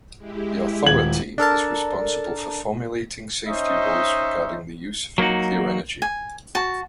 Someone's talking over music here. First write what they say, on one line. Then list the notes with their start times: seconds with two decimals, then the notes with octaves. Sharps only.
The authority is responsible for formulating safety rules regarding the use of nuclear energy.
0.17 G#3 E4 G4
0.86 D#1 G#6 F#7
1.38 D4 A4 A#4 A5
3.47 C#4 D#4 C5 D#5 E5
5.18 F#3 A#3 B3 D#4 F#4
6.02 G#5
6.55 F#4 A5